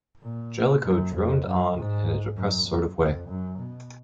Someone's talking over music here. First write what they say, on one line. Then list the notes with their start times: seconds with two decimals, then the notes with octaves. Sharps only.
Jellicoe droned on in a depressed sort of way.
0.24 A#2
0.85 F#2
1.15 F2
1.46 F#2
1.76 G#2
2.36 F#2
2.67 F#2
2.98 F2
3.28 F#2
3.59 B2